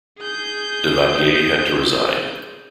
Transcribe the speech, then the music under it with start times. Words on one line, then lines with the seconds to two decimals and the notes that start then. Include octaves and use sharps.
Daladier had to resign.
0.19 G#4 G6